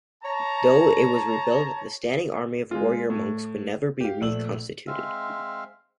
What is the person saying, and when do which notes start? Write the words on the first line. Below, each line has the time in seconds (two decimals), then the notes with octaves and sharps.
Though it was rebuilt, the standing army of warrior monks would never be reconstituted.
0.23 C#5 A5 A#5
2.71 G#3 F4
3.10 A2
4.01 G4 F5
4.21 A#1 A3 E6 F#7
4.87 G#3 C4 E5 F5